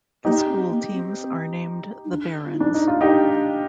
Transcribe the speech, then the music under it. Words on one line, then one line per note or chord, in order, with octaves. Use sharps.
The school teams are named the Barons.
A#3 D#4 G4
C4
A#3
C4
D#4
D4
F4
D#4
D4
D#4
F4
D4 D#4 G4